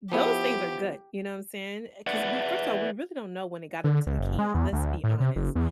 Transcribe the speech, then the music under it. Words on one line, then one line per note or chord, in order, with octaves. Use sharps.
those things are good, you know what I'm saying? 'Cause we first of all, we really don't know when it got into the can, let's be honest,
F3 B3 E4 G4
B4 D5 E5 F#5
D3
C#2
F#1
G#3
E2
D2
A2
C3
F#1
E2